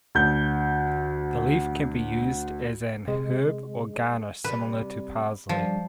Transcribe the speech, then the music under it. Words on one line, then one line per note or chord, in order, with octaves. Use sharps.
The leaf can be used as an herb or garnish similar to parsley.
D2 G6
C3 G#3
C3 G3 B4
G2 F3 G3